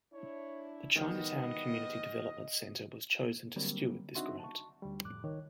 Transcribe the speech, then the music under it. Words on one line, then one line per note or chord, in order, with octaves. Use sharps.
The Chinatown Community Development Center was chosen to steward this grant.
D4 E4 C#5
A2 D#3 E3 G3 B3 D#4 D#5
D3 F#3 G3 A#3 C4
C4 D4 D#4 F#4 E5 C6
A5 C#6
D2 G3
F2 A2 D6 F#6
C#2 D#3 C#5